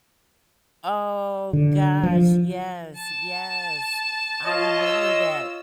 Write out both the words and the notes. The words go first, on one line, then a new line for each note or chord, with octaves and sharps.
Oh gosh! Yes! Yes! I remember that.
D3
F3
A5
F4 C#5 D#5
E6